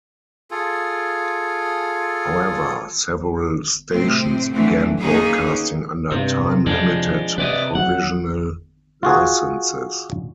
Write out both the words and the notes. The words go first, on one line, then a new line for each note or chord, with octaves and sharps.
However, several stations began broadcasting under time-limited provisional licenses.
F4 G#4 A4
A2 C3 C4
D3 E3 F#3 A3 C4
A#3 B3 C#4 D#4 G#4
G2 C3
F2 C3 F3 G#3 D4
C3 B4 D5 D#5
F#3 F#5
F4 F#4 G#4